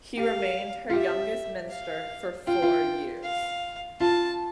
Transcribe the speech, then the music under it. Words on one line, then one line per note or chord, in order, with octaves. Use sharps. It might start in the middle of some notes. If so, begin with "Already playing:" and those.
He remained her youngest minister for four years.
G4 F5
F4
G4 E5
F5
F4 G5
F4
F5
F4 A5